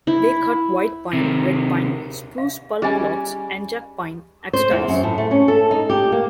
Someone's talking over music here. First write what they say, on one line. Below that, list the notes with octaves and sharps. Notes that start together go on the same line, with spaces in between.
They cut white pine, red pine, spruce pulp logs, and jack pine axe ties.
E4
C3 D#3
F5
G3 C#4 G#4 D#5 G#5
C5
E2
F#2
A2
A3
C#4
A4
D#4
G4
A#3